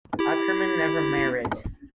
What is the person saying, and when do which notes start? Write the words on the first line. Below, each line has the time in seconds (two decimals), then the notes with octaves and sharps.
Ackermann never married.
0.19 E4 G4